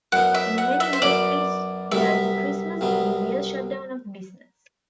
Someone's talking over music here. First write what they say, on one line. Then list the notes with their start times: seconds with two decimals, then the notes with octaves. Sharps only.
In many industries there is a Christmas - New Year shutdown of business.
0.12 F#2 F#3 B3 E4 F#5
0.35 E5
0.58 F#5
0.80 E5
0.93 C5
1.02 F#2 F#3 B3 E4 D5
1.91 C2 C3 F#3 B3 E5
2.81 C2 C3 F#3 B3